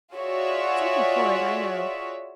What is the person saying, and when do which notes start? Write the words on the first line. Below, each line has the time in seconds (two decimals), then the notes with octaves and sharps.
Something horrid, I know.
0.13 F4 F#4 G#4 C#5 D5 E5